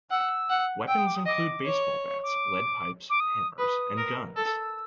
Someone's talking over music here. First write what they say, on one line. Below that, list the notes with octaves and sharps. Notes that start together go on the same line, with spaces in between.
Weapons include baseball bats, lead pipes, hammers and guns.
F#5 E6
F#5
G5 E6
D#6
D6
D#6
D#5 D6
C#5
C#6
D6
D6
D#6
B4 D#6
A#4
A4 E6